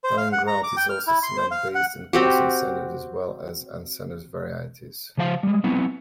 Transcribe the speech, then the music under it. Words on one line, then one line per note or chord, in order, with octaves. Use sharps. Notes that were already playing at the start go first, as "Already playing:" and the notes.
Tiling grout is also cement-based, and comes in sanded as well as unsanded varieties.
C5
F5
F#5
A#5
D6
G5
F6
E4
C6
C5
F5
F#5
C4 F#4 G4
C#3 F3 C5 F5 A5
G3 G#3
F#3 B3 C4 E4